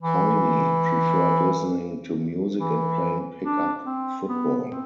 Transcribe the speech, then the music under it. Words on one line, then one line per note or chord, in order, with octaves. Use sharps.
Coyne preferred listening to music and playing pickup football.
E3
E3
D4
C4
B3
C4